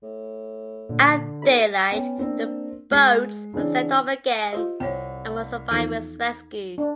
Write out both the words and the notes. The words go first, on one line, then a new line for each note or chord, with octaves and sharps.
At daylight the boats were sent off again and more survivors rescued.
A2
A#2 D3
B1 B5
B3 C#4 G5
A#3 C4 D4
G#3 C7
C#3 E3 C4 D4
F4 G4 C5 D#5
C2 C4 C#5 G5
E2 F3 D#4 A4 F5 G#6
D4